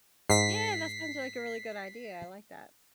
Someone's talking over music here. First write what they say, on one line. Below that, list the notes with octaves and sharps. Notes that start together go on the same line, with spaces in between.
Yeah, that sounds like a really good idea, I like that.
G#2 B6 C7